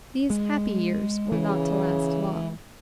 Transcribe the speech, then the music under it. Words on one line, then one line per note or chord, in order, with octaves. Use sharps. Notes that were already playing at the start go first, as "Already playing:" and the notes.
These happy years were not to last long.
G#3
C#3 E3